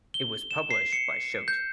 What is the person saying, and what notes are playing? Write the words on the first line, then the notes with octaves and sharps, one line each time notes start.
It was published by Schott.
G7
E7
C7
C#7
G6